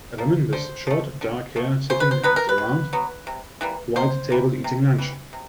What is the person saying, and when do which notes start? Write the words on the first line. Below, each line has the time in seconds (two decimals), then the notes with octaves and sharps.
A woman with short, dark hair sitting at a round, white table eating lunch.
0.18 F3 A#3
0.53 D3 C5
0.87 F3 A3
1.21 D3
1.56 F3 A3
1.90 C#3 C5
2.00 B4
2.11 C5
2.23 F#3 B3 B4
2.36 A#4
2.49 B4
2.58 C#3
2.93 F#3 B3
3.27 C3
3.61 E3 G3 A#3
3.96 C3 C5
4.30 E3 G3 A#3
4.64 C3
4.98 E3 G3
5.33 C3